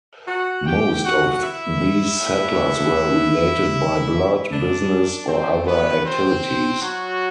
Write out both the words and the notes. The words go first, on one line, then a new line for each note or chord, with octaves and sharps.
Most of these settlers were related by blood, business or other activities.
F#4 F#5
G4 G5
F#4 F#5
E4 E5
A2 G3 B3
D4 D5
F#2 E3 A3 C4 C5
B3 B4
C4 C5
F#3 F#4